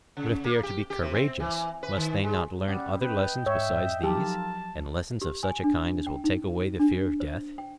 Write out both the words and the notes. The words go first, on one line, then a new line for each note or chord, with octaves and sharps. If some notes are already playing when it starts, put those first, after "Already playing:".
But if they are to be courageous, must they not learn other lessons besides these, and lessons of such a kind as will take away the fear of death?
C#3
A#3
G4
G4
C3
C4
E3
B4
D#3
G#3
G3 C#4 D5 F#5 D#6
B4 D#5 G5
G#2 C#5 E5
F3 F#3 D#4 F4 G4 A4 A#4 A5
G4
G#5
D4
G5
D#4
D4
C5
G5